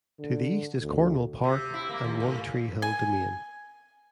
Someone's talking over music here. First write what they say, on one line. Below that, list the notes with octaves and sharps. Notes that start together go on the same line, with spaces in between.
To the east is Cornwall Park and One Tree Hill Domain.
D3
D2
C3
E4
A#3
D#2
A2
G#5